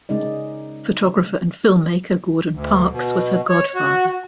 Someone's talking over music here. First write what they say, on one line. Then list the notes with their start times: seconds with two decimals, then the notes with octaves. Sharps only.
Photographer and film-maker Gordon Parks was her godfather.
0.09 C#3 G#3 C#4 D#4 D5
2.52 D2
2.91 B2
3.49 C#5
3.75 F#4